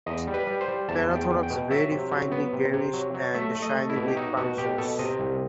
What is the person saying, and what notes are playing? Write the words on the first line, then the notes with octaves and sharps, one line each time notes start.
Prothorax very finely greyish and shiny with punctures.
E2 D#5
G3
B4
G3
C5
G3
E2 A5
E2
G5
E2
G5
B2
F#3 E5
C3
F#3
B3
C3
C3
F#3
F#3
A3 E5
A3
D#5
A3
E4
B2
G4
D#4 F#4
B2 F#4
B2 G4
B2 A4
C3 D#5
C2